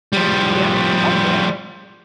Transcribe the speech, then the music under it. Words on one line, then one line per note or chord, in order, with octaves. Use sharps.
Yeah. Oh, yeah.
F3 G3